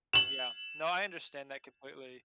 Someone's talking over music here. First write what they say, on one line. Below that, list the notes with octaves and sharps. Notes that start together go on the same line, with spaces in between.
Yeah, no, I understand that completely.
E7 F#7